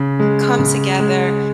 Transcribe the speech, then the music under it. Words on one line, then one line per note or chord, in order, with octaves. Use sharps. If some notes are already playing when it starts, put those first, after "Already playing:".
come together,
Already playing: C#3
G#3
C#3
G#3